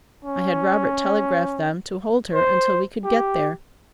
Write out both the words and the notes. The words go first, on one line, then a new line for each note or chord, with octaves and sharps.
I had Robert telegraph them to hold her until we could get there.
C#4
C5
G4